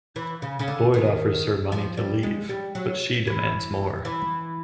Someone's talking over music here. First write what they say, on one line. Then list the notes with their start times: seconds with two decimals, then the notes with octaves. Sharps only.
Boyd offers her money to leave but she demands more.
0.16 E3
0.42 C#3
0.59 C#3
0.68 D3
0.94 D#3
1.72 F3
1.97 G3
2.23 G#3
2.49 G3
2.75 F#3
3.27 E3
4.05 E3